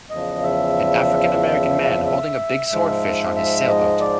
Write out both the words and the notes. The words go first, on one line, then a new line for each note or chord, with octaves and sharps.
An African American man holding a big sword fish on his sailboat.
E2 C#3 F3 D#5
E5
E5
G#2 F3 G#3
E5
D#5
D5